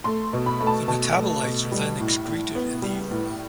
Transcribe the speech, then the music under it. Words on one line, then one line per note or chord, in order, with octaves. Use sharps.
The metabolites are then excreted in the urine.
A3 C6
B2
B5
A3
A5
B2 A5
A3
B2
G3
A2
A2
B3
G3
A2